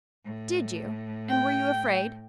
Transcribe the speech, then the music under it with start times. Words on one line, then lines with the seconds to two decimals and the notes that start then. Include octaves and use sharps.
"Did you? and were you afraid?"
0.25 A2
1.29 G5